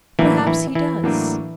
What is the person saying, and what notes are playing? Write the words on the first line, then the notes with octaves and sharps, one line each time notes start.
Perhaps he does.
A2 E3 F#3 A#3 D4 E4
E3 E4
E3 E4
A2 F#3 A#3 D4